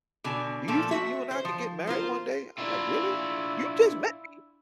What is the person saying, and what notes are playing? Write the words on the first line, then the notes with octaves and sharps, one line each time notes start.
"Do you think you and I can get married one day?" I'm like, "Really? You just met me.
B2 D3 G#5
A#2 F3 A3 A4
F#4 E5
C5
F3
F4 A#4 C5
D4 E4 F4